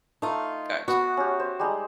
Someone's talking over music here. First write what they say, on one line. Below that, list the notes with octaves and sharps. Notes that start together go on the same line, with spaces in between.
Got you.
A3 D#4 F4
B3 F#4
C#4 G4
C5
G3 G#3 D#4